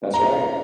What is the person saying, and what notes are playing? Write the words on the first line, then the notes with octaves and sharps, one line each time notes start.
That's right.
A#5